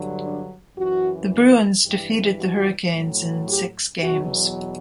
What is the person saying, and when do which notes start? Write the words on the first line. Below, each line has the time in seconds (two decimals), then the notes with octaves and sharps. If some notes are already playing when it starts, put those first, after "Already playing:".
The Bruins defeated the Hurricanes in six games.
Already playing: G2 D3 F#3
0.24 D4
0.77 F#2 E3 F#4
1.86 G2 E3 G4
2.40 F#4
2.95 A2 F#3
3.49 G4
4.03 E2 B2 F#3 F#4